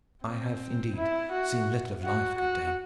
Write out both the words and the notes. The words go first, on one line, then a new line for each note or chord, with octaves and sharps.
"I have indeed seen little of life, good dame."
C4
E4
F#4
F#4
F#4